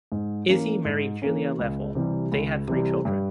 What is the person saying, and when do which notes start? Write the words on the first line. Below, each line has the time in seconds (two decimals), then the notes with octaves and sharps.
Izzy married Julia Leffel; they had three children.
0.12 G#2
0.48 E3 A#3 C#4
0.85 G#2
1.22 E3 A#3 C#4
1.59 C#2
1.95 C3 E3 G3
2.32 C#2
2.68 C3 E3 G3
3.05 G2